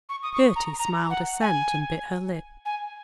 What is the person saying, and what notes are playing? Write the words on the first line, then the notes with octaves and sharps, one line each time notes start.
Gerty smiled assent and bit her lip.
C#6
D#6
C#6
A#5
A#5
F#5
G#5
G#5